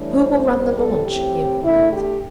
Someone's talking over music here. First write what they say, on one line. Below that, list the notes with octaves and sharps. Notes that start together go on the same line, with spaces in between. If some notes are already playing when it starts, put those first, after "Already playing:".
"Who will run the launch?" he inquired.
Already playing: A2 E3 G3 D4
C5
E2 C3 G3 C4
A4
A2 E3 C4 G4
E2 D3 A3 E4
G4